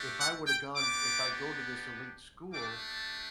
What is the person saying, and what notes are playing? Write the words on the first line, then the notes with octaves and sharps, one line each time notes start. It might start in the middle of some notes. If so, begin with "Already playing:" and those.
if I woulda gone if I go to this elite school,
Already playing: A3 D4 G4
F#5
G5
B3 D4 G4 D6
A3 D4 G4 D6